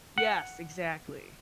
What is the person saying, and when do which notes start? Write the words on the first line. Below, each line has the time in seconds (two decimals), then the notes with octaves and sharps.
Yes, exactly.
0.18 F#5